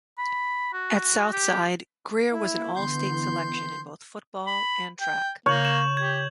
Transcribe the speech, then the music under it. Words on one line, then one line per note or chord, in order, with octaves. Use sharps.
At South Side, Greer was an all state selection in both football and track.
B5
F#4
G4
A#3 E4
D3 E3 B3 C6 G6
B5
G5
C#3 A#3 C#5 G6 F#7
E7 F#7
G4 G#6